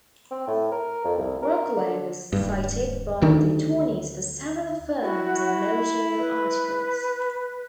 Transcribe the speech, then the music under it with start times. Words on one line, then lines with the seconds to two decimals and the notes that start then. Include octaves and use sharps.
"Groklaw" was cited by the attorneys for several firms in law journal articles.
0.31 C4
0.48 A2
0.72 A#4
1.04 F2
1.18 C2
1.42 A#4
1.77 D3
2.33 D1 G2
3.22 D2 D#3 D4
5.02 E4 F#4
6.19 B4